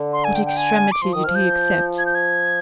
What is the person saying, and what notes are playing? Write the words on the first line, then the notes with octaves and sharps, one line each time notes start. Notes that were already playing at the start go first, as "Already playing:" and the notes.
What extremity did he accept?
Already playing: D3
C6
G#5
G5
G5
G#5
D6
F3 C6
D#3 D#6
F3 F6
G6
G#6
G6
G#6